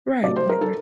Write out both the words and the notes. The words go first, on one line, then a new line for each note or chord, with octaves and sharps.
Right. Right, right.
C3 F#3 A3 D5
C5
A#4
A4